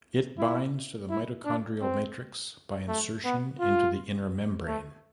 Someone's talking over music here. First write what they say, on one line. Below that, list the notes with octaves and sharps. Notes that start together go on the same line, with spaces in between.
It binds to the mitochondrial matrix by insertion into the inner membrane.
E4
E4
D4
C4
A3
B3
F4
A3